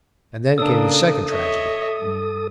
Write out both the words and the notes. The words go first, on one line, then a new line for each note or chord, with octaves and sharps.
And then came the second tragedy.
C#3 A#3 D4 A4 D#6
C#5 D#5 E5
G2